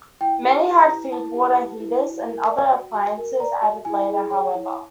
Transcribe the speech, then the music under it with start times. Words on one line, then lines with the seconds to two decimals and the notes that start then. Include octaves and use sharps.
Many had feedwater heaters and other appliances added later, however.
0.21 E4 G5
0.43 G4
0.51 A5
0.66 B4
0.81 A#5
0.89 E4
1.12 E4 A5
1.34 G4
1.57 B4
1.80 E4
2.03 F#4
2.25 A#4
2.49 D5
2.72 F#4
2.94 F#4 G#5
3.18 A#4
3.40 D5 A#5
3.62 F#4
3.85 E4 G#5
4.08 G#4
4.30 C#5 G5
4.54 E4